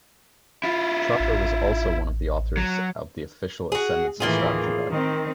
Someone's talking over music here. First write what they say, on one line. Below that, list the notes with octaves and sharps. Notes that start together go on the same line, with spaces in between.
Trotter was also one of the authors of the official Ascendancy strategy guide.
E4 F4
A1
F#3
F#4 G#4
A2 D#3 E3 A#3 F4 G#4
D#3 C4